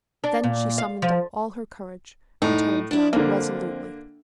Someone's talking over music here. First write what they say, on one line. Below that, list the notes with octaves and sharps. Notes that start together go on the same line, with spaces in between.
Then she summoned up all her courage, and turned round resolutely.
D4
A#2
F5
F3
A2 D#4
D4 E4
F2 D3 A#3